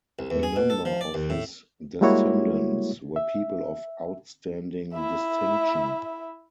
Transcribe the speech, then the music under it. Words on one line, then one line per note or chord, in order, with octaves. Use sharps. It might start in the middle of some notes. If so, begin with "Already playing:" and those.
A number of his descendants were people of outstanding distinction.
C2
E2
G#4
B2
A4
F3
D5
D#2
A2
G3 G#3 A#3 E4 F#4 C#5
E5
E4 E5